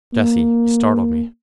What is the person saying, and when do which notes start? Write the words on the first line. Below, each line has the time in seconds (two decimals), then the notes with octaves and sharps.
"Jesse, you startled me."
0.14 A#3